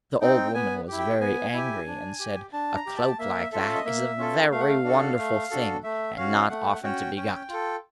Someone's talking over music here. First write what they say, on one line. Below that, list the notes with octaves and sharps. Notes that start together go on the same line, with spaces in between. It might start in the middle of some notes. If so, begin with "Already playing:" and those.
The Old Woman was very angry, and said: 'A cloak like that is a very wonderful thing, and not often to be got.
C4 D#4 G5
B3 G#5
E4 G4
G5
B3 G#5
E4 G4
D4
G4
D4 A5
A#5
G4
A5
A#3 E5
C#4 F4 A4 E5
D#5
A#3 E5
C#4 F4 A4
A3 F5
F#5
F5
D4 F#4 A4
A3
D4 F#4 A4
A3 E5
C#4 F#4 F5
A3 F#5
C#4 F#4 G5
C#4 G5
F4 A4